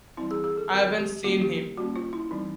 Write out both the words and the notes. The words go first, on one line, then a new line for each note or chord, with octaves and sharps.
I haven't seen him.
E3 G3 C4 E4
G#4
G#4
A4
E3 G3 C4 A#4
G4
G3 A#3 C#4 F#4
G4
G3 A#3 C#4 F#4
F4
E4
E3 G3 C4 D#4